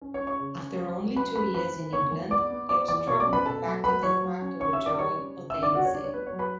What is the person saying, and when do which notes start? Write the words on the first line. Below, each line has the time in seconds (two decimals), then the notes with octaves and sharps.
After only two years in England, Elstrup moved back to Denmark to rejoin Odense.
0.01 C#4
0.14 C#5 C#6
0.21 C#4
0.27 C#5 C#6
0.40 C#3
0.59 C#4
0.78 F#3
0.98 F#3
1.16 C#4 B4 B5
1.36 C#4 B4 B5
1.54 E3 B4 B5
1.74 E3
1.93 B3 C#5 C#6
2.12 E3
2.31 B3 D5 D6
2.50 B3
2.69 B3 D5 D6
2.88 E3 D5 D6
3.07 B2 C#5 C#6
3.20 D5 D6
3.27 C#4
3.33 B4 B5
3.45 B2 A4 A5
3.65 F#3
3.84 F#3 B4 B5
4.03 F#3 C#5 C#6
4.22 F#3
4.41 C#4
4.60 C#4 C#5 C#6
4.73 E5 E6
4.80 G3
4.86 D5 D6
4.99 G3 C#5 C#6
5.18 C#4
5.37 C#3
5.50 E5 E6
5.56 C#4
5.63 D5 D6
5.75 C#3 F#4 F#5
5.85 C#5
5.94 G3 D4 D5
6.04 C#5
6.13 B3 B4
6.26 C#5
6.32 F#3
6.39 B4 B5